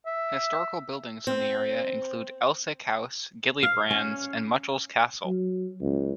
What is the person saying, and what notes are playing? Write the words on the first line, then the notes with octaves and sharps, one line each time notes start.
Historical buildings in the area include Elsick House, Gillybrands and Muchalls Castle.
E5
C4
F5
C#4
F#3
C#2